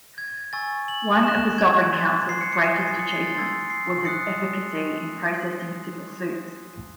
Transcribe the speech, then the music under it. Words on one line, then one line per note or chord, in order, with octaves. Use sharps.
One of the Sovereign Council's greatest achievements was its efficacy in processing civil suits.
G#6
G#5 C#6 E6 A6
F#7
A5 C#6 F#6 E7
G#6
C6 F#6 A6
C7
C#7
C#7
G#5 D#6 F#6 C#7
A6
C7
C#7
C7
A6
C6 E6 A6
C7
A5 D#6 F#6 C#7